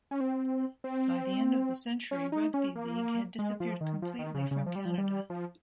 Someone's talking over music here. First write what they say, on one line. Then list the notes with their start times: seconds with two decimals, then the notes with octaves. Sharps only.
By the end of the century, rugby league had disappeared completely from Canada.
0.11 C#4
0.21 C4
0.84 C4
2.11 C#4
2.32 D#4
2.54 C#4
2.76 A#3
3.39 G#3
3.60 F3
3.81 D#3
4.02 F3
4.19 D#3
4.35 C#3
4.51 C#3
4.66 F3
4.76 G3
4.85 F3
4.98 G3
5.30 F3